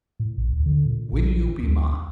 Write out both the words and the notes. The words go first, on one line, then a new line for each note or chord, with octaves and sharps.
Will you be mine?
A2
A#1
D2
D3
A#2
A#1
D2